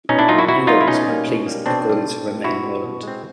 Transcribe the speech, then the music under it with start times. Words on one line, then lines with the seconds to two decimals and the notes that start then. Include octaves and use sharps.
Handel was not pleased, according to Romain Rolland.
0.09 B2 C#4 D#4
0.19 D4 E4
0.28 F#3 A#3 D#4 F4
0.38 E4 F#4
0.48 B2 E4 F#4
0.67 F#3 A#3 D#4 F4
0.81 E4
0.88 B2 C#4 D#4
1.07 G3 A#3
1.27 B2
1.46 G3 A#3
1.66 B2 C4 D4
1.85 G3 A#3
2.05 B2
2.25 G3 A#3
2.44 B2 E4 F#4
2.63 G#3 C4
2.84 B2
3.03 G#3 C4